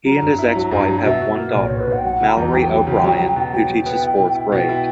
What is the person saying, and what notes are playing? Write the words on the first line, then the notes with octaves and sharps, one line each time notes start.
He and his ex-wife have one daughter, Mallory O'Brien, who teaches fourth grade.
F#3 A#5
G2
E4
F#3
G2
F#3
B2 E5
B2
A#3
B1 D5
B1 C#5
B4
B1
F#5
G5
F#3 F#5
C#3
A#5
E2
F#3 G5
F#3
C#3
F#3
F#3
B2
F#3 G5
F#3
B3
E4
B2
E4
B2 G5
E4